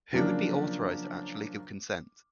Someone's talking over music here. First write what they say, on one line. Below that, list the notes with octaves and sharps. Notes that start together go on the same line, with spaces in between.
Who would be authorized to actually give consent?
C#3 F3 F#3 A#3 D4